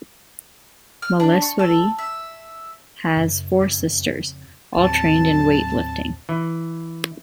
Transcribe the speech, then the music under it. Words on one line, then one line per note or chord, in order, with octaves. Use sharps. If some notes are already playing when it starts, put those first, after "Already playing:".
Malleswari has four sisters, all trained in weightlifting.
F6
D4
C#6
A4
E5
F#2 C#3
F2 C#3
D#2 A2 D3 F#3 C4 A5
E3